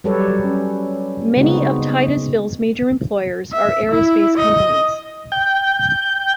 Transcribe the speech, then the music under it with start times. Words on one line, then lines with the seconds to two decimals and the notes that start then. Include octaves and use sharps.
Many of Titusville's major employers are aerospace companies.
0.04 F#3 G3 G4 A4 B4 C#5
0.44 C#4
1.37 C#3 G#3 B3 C4 D#4 F#4
3.53 E5
3.92 E4
4.37 D#5
5.32 G5 G6